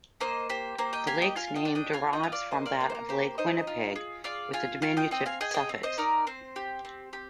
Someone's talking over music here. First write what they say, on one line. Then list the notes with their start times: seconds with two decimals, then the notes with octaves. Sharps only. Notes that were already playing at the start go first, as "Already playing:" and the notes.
The lake's name derives from that of Lake Winnipeg, with a diminutive suffix.
0.20 A#3 C5 D#5
0.49 G4 C5
0.78 A#3 C5
0.93 D#5 G5
1.07 G4 F5 G#5
1.22 D#5 G5
1.36 F4 F5 G#5
1.55 D#5 G5
1.65 D4
1.75 D#5 G5
1.93 F4 F5 G#5
2.13 D#5 G5
2.23 F4
2.32 D5 F5
2.51 A#3 C5 D#5
2.66 D5 F5
2.80 A#3
2.90 C5
2.95 A#4
3.09 G4 C5
3.38 D#4 C5 D#5
3.67 F4
3.96 G#4
4.24 F4 D5 F5
4.53 F4 F5 G#5
4.82 F4 F5 G#5
4.97 D#5 G5
5.11 C4 D#5 G5
5.26 F5 G#5
5.41 G#4 D#5 G5
5.51 G#5
5.54 D#5 G5
5.69 C4
5.83 C5 D#5
5.98 D#4 A#4 D5
6.27 C4 C5
6.56 G4
6.85 C4
7.13 G4